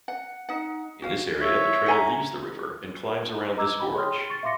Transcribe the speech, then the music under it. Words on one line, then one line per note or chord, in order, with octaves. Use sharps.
In this area, the trail leaves the river and climbs around this gorge.
F#5
D#4 F#5
F#4 F5
E4 C#5 E5
F#5 G#5 A#5
B4 D#5 A#5 D6 E6 G#6
G5 B5
G#4 C#5 G5 C6 D#6 F6
G7
C#6 A6
E5 F5 C6 D6 A#6 C#7